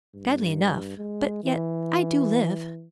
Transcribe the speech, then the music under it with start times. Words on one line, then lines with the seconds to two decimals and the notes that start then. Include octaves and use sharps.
"Badly enough; but yet I do live."
0.14 G2
0.98 G#3
1.43 E3